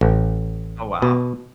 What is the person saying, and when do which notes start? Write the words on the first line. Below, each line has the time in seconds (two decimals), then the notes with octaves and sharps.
Oh, wow.
0.01 A1
1.02 B2